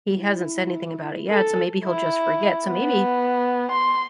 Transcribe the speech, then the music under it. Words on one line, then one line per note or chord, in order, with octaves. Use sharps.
he hasn't said anything about it yet, so maybe he'll just forget." So maybe,
E4
A4
E4
B3
C6